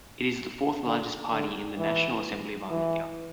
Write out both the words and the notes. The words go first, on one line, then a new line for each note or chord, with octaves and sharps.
It is the fourth largest party in the National Assembly of Armenia.
D3
D3
E3
E3